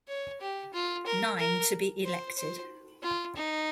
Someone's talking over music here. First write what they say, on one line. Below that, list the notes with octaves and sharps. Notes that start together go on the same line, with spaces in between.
Nine to be elected.
C#5
G4
F4
A#4
A#4
C5
C5
F4
D#4